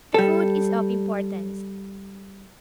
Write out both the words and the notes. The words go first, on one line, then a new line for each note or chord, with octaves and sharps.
The food is of importance.
G3 A4